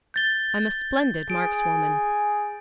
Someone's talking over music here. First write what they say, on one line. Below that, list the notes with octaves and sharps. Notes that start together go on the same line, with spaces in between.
"I'm a splendid markswoman."
G6 A6 G7
G#4 D7